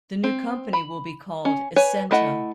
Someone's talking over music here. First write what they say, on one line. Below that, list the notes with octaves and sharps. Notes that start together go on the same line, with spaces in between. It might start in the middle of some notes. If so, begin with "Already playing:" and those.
The new company will be called Essenta.
C4
B5
C#4
B4 C#5 G#5
A3 E4 D#5 F#5